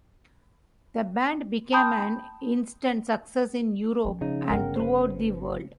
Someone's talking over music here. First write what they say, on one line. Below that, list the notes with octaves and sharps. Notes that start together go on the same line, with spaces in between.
The band became an instant success in Europe and throughout the world.
G5 A5 B5 C6 D#6 G6
F3 C#4
C#3 D#4
G1 A3 A#4 F#5 G5
B4 C5